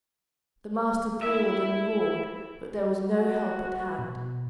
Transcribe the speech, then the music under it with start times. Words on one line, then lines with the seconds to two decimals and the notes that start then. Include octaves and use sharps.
The master bawled and roared, but there was no help at hand.
1.22 E4 E5
3.05 F#4
3.98 B2